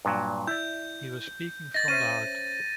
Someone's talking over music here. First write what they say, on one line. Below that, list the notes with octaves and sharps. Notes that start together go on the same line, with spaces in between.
He was speaking from the heart.
G2 A#2 F#3
E4 D5 G6
D#5 A6 A#6
C#4 C5 E5 D#7